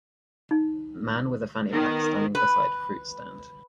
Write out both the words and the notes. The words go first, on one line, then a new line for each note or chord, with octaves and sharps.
Man with a fanny pack standing beside fruit stand.
D#4
D#3 B3 A#4
B4